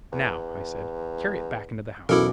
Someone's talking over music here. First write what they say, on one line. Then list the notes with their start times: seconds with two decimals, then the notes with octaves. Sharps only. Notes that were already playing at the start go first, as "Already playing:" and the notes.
"Now," I said, "carry it back into the house."
0.12 E2
2.09 B1 E2 C#4 E4 F#4 A4 A#4 D6